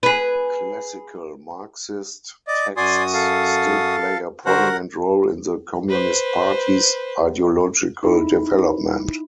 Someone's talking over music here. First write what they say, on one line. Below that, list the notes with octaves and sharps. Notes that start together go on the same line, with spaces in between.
Classical Marxist texts still play a prominent role in the Communist Party's ideological development.
G#4 B4
D5 D#5
F#2 F#4 D5 G#5 C6 D#6
A4 F5
D3 F#4 A#4 C5 F#5
B4 C5
D#4 E4 B5